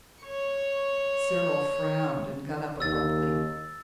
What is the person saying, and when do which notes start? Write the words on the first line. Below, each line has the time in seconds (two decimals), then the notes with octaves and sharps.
Cyril frowned, and got up abruptly.
0.22 C#5 C#6
2.80 D#2 E6 A6